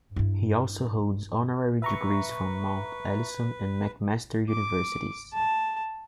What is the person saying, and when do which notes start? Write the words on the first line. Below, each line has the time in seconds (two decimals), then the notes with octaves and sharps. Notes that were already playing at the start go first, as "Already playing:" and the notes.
He also holds honorary degrees from Mount Allison and McMaster universities.
0.16 G2 E4
1.82 B4 E5 A#5 C#6
4.50 D6
5.34 A5